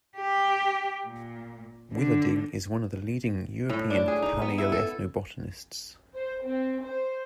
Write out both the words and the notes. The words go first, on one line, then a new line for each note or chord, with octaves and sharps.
Willerding is one of the leading European palaeo-ethnobotanists.
G4
A#2
D3
A2
D4
G#4
D#4
B3
E4
A4
C5
C4
C5